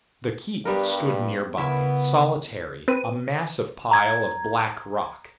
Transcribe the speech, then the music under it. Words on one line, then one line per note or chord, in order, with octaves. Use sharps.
The keep stood nearby, solitary, a massive pile of black rock.
G2 G3 B3 A#4
C#3 B3 E4 A#4 E5
C4 B4 D#7
A#5 G#6